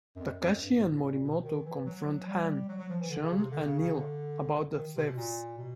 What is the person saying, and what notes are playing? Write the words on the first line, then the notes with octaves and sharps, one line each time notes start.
Takashi and Morimoto confront Han, Sean, and Neela about the thefts.
F#2
F2
F#2
F2
F#2
G2
G#2
A2
A#2
B2
D#3
E3
F#3
G3
F#3
F#3
F3
E3
D3
C#3
C3
D3
C#3
C#3
D3
D#3
C3
B2
A#2
B2